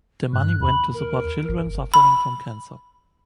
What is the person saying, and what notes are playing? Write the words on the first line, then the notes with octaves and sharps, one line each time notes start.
The money went to support children suffering from cancer.
G2 F#6
D#2 B5
A#4
G1
B5